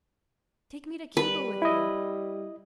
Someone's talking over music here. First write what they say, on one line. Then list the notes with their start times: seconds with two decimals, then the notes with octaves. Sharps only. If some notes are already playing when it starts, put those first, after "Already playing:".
Take me to Cuba with you!
1.17 G3 B4
1.62 E4 D#5